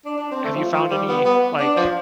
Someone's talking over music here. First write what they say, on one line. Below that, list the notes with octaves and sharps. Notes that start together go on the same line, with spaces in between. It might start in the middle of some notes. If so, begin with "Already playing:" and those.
Have you found any like
D4
D4
C4
A3
F3
F3
G3
B3
B3
D4
F3